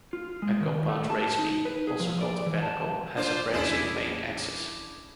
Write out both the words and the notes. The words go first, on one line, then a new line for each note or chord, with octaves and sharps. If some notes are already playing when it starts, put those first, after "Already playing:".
A compound raceme, also called a panicle, has a branching main axis.
F4
G#3
D#3
A3
A5
D#4
B4
G#4
F3
D5
E3
A5
D4 F4 C5
E2 C#4 D4 E4 G#4